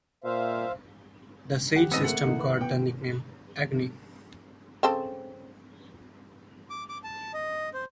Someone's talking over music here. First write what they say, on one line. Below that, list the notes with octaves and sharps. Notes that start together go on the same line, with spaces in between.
The Sage system got the nickname "Agony".
A#2 C5 E5 F5
G4 F#5
G#2 B3 C4 B4 D#5 E6
A3 A#3 G#4 F#5
D#4 E4 A4
B4
B3 G5
C#3 C4 A4
D6
D6
A5
D#5
C5